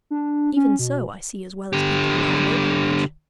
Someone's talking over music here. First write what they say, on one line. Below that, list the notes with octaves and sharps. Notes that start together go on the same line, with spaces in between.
Even so I see as well as people who have no bandage.
D4
C#4
B2
D3 G4